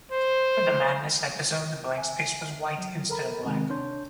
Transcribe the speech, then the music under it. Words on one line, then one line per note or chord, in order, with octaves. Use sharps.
For the "Madness" episode, the blank space was white instead of black.
C5
E5 G#5
F#3
A4 A#4 A#5 B5
C3 D#3 G#3 C4
D4 C#5 C6 G6